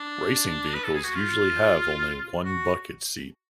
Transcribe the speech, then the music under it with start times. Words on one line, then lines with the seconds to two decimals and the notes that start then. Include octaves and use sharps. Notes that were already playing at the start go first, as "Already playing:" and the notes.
Racing vehicles usually have only one bucket seat.
Already playing: D4
0.74 B4
0.84 A4
0.95 G#4
1.04 F#4
1.14 F4
2.45 F#4